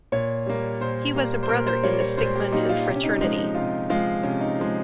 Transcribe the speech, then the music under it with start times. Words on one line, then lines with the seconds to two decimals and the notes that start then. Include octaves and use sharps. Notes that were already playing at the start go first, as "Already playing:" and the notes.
He was a brother in the Sigma Nu Fraternity.
0.12 A#2 C#5
0.46 G3 A#3
0.81 A#2 C5
1.15 G3 A#3
1.43 C5
1.49 A#2 A#4
1.67 C5
1.83 G3 A#3 C#5
2.01 C#5
2.18 A#2 C5
2.35 G4
2.52 G3 A#3 D#4
2.69 F4
2.86 C3 G4
2.96 C#4
3.04 D#4
3.21 F3 G#3 D#4
3.38 D#4
3.55 C3 F4
3.90 F3 G#3 F4
4.23 C3 C#4
4.40 D#4
4.58 F3 G#3